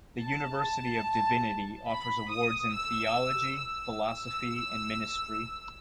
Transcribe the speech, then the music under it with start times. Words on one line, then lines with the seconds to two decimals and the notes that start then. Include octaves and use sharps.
The University of Divinity offers awards in theology, philosophy and ministry.
0.21 A5
1.89 B5
2.31 D#6
2.73 E6
3.57 E6